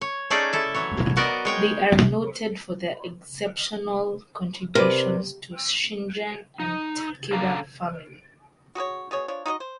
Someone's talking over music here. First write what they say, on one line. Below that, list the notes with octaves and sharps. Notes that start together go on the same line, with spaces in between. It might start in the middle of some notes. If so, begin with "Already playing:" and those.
They are noted for their exceptional contributions to Shingen and the Takeda family.
C#5
A3 C#4 D#4 G#4 A4 D5
E4 A4 E5
E3 F#3 C#5
B3 F#4 A#4 D5 D#5
G#3 C#5 G5
C3 A#4 B4 D5
D#4
C#3 D4 A4 F5 A#5
F#4 G#4 B4 C#5
B2 G#4 C#5
F3 D4 C#5
D#4 F#4 A4 D#5
C5